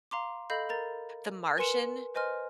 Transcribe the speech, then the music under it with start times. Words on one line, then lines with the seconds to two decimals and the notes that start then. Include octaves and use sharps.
The Martian,
0.11 F5 A#5 C6 D6
0.50 A4 D#5 F5 B5 G6
0.69 A#4 A#5 A6
1.57 A#4 B4 G#5 C6 C#7 E7
2.14 B4 C5 D#5 G#5 C6 F6